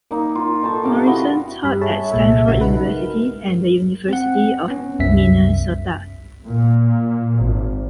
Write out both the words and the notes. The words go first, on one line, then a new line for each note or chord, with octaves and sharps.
Morrison taught at Stanford University and the University of Minnesota.
A#3 D#4
F4
D#4 A4 A5 C#6
C3 F5 D6
E4 F#4 D#5
G2 G4 B5
G#4 C#5 E5 A5
C2 A#2 A4
B1 C#3 F#4
C#4 D#4 F#4 B4
G#3 A#4
C4 F#5
B3 C#4
C2 F#2 E5 B6
A#2
G#1